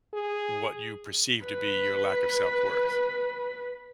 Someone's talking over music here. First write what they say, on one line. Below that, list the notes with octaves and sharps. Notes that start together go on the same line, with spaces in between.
what you perceive to be your lack of self worth,
G#4
B4 B5